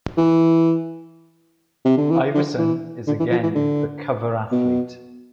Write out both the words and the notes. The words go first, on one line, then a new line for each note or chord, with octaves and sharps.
Iverson is again the cover athlete.
E3
C3
D3
E3
D3
E3
D3
E3
F3
E3
D3
B2